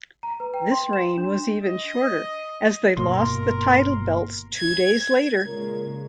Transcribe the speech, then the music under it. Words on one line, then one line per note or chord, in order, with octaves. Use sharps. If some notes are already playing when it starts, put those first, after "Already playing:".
This reign was even shorter, as they lost the title belts two days later.
A#5
B4
G5
C6
E7
D4
D#5
G1 B2 A#3 A#4 C6
G#6
A#2 C#3 G#3 A#4